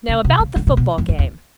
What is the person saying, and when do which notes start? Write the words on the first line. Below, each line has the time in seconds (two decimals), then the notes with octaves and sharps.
Now about the football game.
0.09 C#3
0.24 C3
0.40 C#3
0.56 D3
0.67 C3
0.77 B2
0.98 E2
1.09 F2
1.19 E2